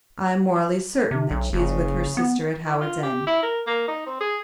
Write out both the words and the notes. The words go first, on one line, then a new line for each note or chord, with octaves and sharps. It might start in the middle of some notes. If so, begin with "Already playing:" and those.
I am morally certain that she is with her sister at Howards End.
C3
B1
F#1 C#3
B3
E3
F4
G4
E4
A#4
A#3
D#4
C4
G#4